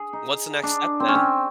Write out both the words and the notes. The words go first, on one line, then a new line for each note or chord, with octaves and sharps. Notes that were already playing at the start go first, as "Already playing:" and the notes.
what's the next step then
Already playing: G#4
D#4
D4
C4
C#4
C4